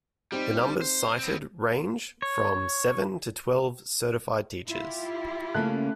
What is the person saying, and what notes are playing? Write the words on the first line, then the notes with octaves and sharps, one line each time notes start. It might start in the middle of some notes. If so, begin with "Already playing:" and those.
The numbers cited range from seven to twelve certified teachers.
G3 C4 D#4 G4
C5
B3 C4
C#5
E4 F4 G4
C#3 A3 A#3 C#4 A5 F#6